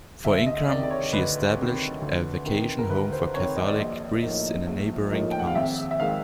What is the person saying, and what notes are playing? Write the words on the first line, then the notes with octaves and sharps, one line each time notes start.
For income, she established a vacation home for Catholic priests in a neighboring house.
D2 E5
E5
D#5
C3 D5
D#3
D5
C#5
D2 B4
C3 D#3
D2
C3 D#3
A#4
D2 B4
C5
C3 D#3 C#5
D#5
D5
A#1 D#5
A2 F3 A#3 D#4
A#1
A2 F3 A#3 D#4
G5
F#5
F5
G#1 E5
E5
D#3 G#3 F5